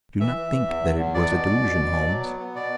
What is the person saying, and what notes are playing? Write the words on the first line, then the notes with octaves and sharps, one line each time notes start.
Do not think that it was a delusion, Holmes.
E3 E5
E3
E3
E2
E2
E2
B3 D5
B2
B2
B2
B2
B2
F#3
B3
B3
B2 D5